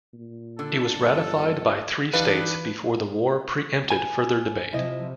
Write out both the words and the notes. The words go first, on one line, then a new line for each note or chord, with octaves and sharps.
It was ratified by three states before the war pre-empted further debate.
A#2
D3 A4
G1
E3 G3 D4 D#4 B4 F5
B4 G#5 A5 B5
C3 F3 E4 D#5